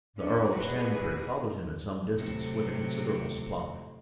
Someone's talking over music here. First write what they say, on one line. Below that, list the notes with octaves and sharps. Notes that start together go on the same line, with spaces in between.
The earl of Stamford followed him at some distance With a considerable supply.
B3 C#4 D4
C3 E4 F#4 G#4 B4 D5
A2 C3 F#3